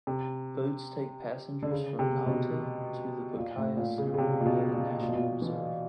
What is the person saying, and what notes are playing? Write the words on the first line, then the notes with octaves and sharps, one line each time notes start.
Boats take passengers from Nauta to the Pacaya-Samiria National Reserve.
C3
D3
C#3
C3
B2
A#2
A2
A#2
C#3
C#3
C3
A#2
B2
A#2
A#2
B2
A#2
E3